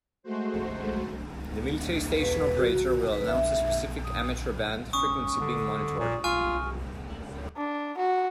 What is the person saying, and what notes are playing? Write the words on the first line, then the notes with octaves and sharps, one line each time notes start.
The military station operator will announce the specific amateur-band frequency being monitored.
G#3 A3 F#4 C5
B4
B4
F#4
B4
E5
D#6
C#4 C#6 D#6
D3
A#2
F4 G#5 C#6 F6
D4
F#4